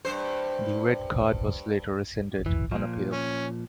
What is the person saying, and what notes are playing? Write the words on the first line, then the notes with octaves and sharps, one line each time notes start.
The red card was later rescinded on appeal.
G2 C5
E3
A#2 F3
C#4